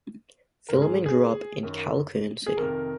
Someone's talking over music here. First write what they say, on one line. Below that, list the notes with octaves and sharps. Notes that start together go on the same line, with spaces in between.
Filemon grew up in Caloocan City.
G#2 D#3 A#4
G#4
G#4
F#2 D#3
G#4
F2 C3 D#3 A#4